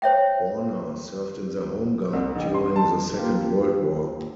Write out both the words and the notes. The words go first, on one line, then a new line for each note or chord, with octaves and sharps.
Warner served in the Home Guard during the Second World War.
C5 C#5 E5 G5
C2
A1
C6
A5
A#3 F4 G4